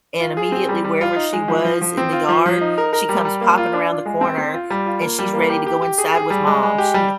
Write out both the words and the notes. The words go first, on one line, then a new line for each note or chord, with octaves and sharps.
and immediately wherever she was in the yard, she comes popping around the corner, and she's ready to go inside with mom. She m
F4
G#4
C4
G3
G3
F4
D#4
G#3
F3
F3
F3
C4
F4
F3
F3
D#4
A#4
A#4
G3
G3
A#3
F4
D4
F4
G#3
C4
C4
F4
G3
F4
A#3
G3
A#3
G4
G4
G4
G#4
G#4
G3
G#3
G#3
G4
G3